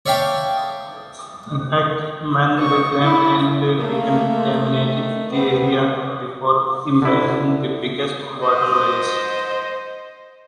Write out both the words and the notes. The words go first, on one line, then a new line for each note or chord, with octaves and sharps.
In fact, men reclaimed and decontaminated the area before embanking the biggest waterways.
C#5 D5 E5 F5 G5 A5
C#6
E4
A3 A#3
D#3
B3 C4
D3 E4
C5 D#5